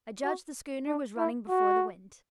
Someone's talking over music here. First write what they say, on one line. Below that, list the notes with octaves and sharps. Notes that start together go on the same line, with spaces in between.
I judged the schooner was running before the wind.
F#4
D4
E4
F#4